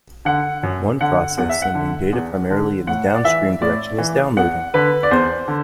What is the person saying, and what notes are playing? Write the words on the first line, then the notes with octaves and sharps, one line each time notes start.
One process sending data primarily in the downstream direction is downloading.
D3 F#5
F#2
D3 F#5
E2 F#5
E5
F#5
D3
E2
D3
A2 F#5
D5
E3 E5
A2 D5
E3
E2 F#5
D3 B4
D5
E2 C5
D3